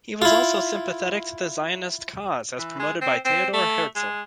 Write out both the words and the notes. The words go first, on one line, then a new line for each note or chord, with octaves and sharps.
He was also sympathetic to the Zionist cause, as promoted by Theodor Herzl.
E4 F4
E3
G#3
C4
C4
A3
G#3